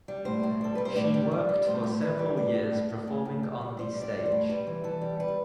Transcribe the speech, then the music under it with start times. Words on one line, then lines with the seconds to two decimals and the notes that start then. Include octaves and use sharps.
She worked for several years performing on the stage.
0.08 G3
0.25 A2 C5
0.43 A2
0.61 G3 A4
0.75 G3 B4
0.85 C5
0.96 A2 D5
1.14 G3
1.31 G3
1.49 G3
1.66 A2 C5
1.84 A2
2.02 G3 B4
2.19 G3
2.37 A2 D5
2.55 A2
2.72 A2
2.90 A2
3.07 A2
3.25 A2
3.43 G3
3.61 G3
3.79 G3 C5
3.96 G3
4.02 D5
4.14 G3
4.26 C5
4.32 A2
4.49 G3 B4
4.67 E3
4.84 E3 A4
5.01 G3
5.20 G3 B4